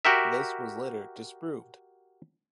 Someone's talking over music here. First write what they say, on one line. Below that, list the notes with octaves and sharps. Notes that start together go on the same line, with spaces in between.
This was later disproved.
F#4 G4 A#4 E5